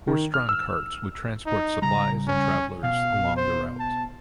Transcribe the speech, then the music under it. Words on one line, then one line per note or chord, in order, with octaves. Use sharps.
Horse-drawn carts would transport supplies and travellers along the route.
D#3
F6
E6
D#4
C#3 G3 A#5
C#4
B2 F5
C5
A5